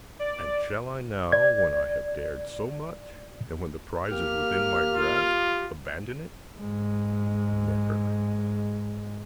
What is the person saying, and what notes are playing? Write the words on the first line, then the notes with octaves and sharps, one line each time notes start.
And shall I now, when I have dared so much, and when the prize is within my grasp, abandon it?--Never!
D5
D5 G#6
A#3 G4 F6
F4
G#2 G#3